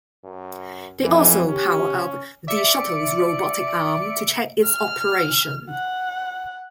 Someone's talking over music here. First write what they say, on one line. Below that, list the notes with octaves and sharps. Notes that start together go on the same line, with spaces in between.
They also powered up the shuttle's robotic arm to check its operation.
F#2
F2 E3
C#4 G4
D5 E5 C#7 D7
F6
F#5